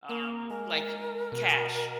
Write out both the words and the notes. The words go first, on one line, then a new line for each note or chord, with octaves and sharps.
Um, like, cash,
A#3 A#4
G#3 A#4
B2